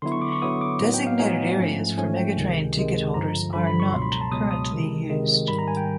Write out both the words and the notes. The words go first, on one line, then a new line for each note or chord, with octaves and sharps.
Designated areas for Megatrain ticket holders are not currently used.
D3 F#3 B3 E4 C6
C#6
D6
C#6
D3 F#3 B3 E4 D#6
D6
A2 F#3 B3 D#4
G5
F5
A2 F#3 B3 D#4 G#5
G#2 F3 A3 C#4
G#2 F3 A3 C#4 G#5
G5
C#2 C3 D#3 G#3
C#2 C3 D#3 G#3
G2 D3 F3 A#5
G2 D3 F3 B5
B5
C#6
C#2 B2 F#3 C6
B5
A#5
A5
C#2 B2 F#3 D#6
D#6
C3 D#3 G#3
C3 D#3 G#3
G#2 D#3 G3 B5
A#5
G#5
G5